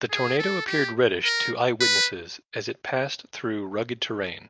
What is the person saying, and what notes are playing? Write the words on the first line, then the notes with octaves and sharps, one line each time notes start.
The tornado appeared reddish to eyewitnesses as it passed through rugged terrain.
G#4
A4
G4
A#4
B4